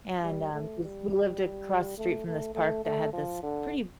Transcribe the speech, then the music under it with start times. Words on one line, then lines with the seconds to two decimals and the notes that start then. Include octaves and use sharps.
and, um, jus we lived across the street from this park that had this pretty
0.23 G3
0.53 A3
0.82 G3
1.98 A3
2.26 A3
2.55 A3
2.85 A3
3.13 F3
3.42 D3